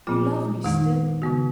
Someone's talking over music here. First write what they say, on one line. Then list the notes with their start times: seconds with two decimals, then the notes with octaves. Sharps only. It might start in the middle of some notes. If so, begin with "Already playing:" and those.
You love me still.
0.07 A#2 F3 A#3 F4
0.64 F2 D#3 G#3 D#4
1.22 C#3 G#3 B3 F#4